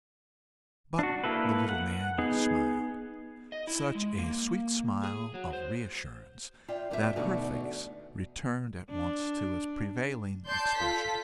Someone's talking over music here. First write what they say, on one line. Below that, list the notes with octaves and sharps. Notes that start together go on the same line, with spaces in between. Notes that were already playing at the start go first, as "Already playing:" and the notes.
But the little man smiled--such a sweet smile of re-assurance, that her face returned at once to its prevailing expression of content.
D4 F#4
A#3 E4 A4 B4
F#5
B3 D#4 G#4
D#5
E4
G#3
A#3
G#4
F#3
C5
F4 D5 E5 G5
G2 G3 B3 F4 F#4 E5
E2 B2 D3 A3 D#4 F#4
D4
D5 A5 C6 G6
F4 A4 B6